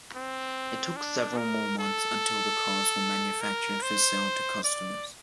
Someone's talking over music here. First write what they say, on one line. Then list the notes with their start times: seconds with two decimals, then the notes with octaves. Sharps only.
It took several more months until the cars were manufactured for sale to customers.
0.15 C4
0.96 D4
1.37 A#4
1.79 A4
3.41 A#4
3.82 C5
4.64 D5